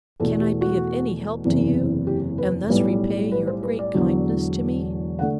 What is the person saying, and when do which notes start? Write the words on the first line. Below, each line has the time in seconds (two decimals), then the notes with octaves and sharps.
Can I be of any help to you, and thus repay your great kindness to me?'
0.20 E2 B2 A3 A4
0.41 G4
0.61 F#4
1.45 F#1 E2 C3 E3
2.07 G4
2.38 B4
2.69 B1 A2 G3 B4
3.31 B4
3.47 C5
3.63 B4
3.79 D5
3.94 E1 E2 D3 F#3
5.19 D3 A3 F#5